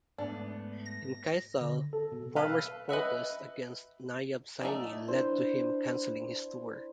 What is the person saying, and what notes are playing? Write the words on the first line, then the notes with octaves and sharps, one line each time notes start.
In Kaithal, farmers' protest against Nayab Saini led to him canceling his tour.
G#2 A3 B3 D4
A#6
D3
A4
B2
A4 B4 F5
B4 D#5 E5 F#5
A3 D#4 D5
D4 E4 C5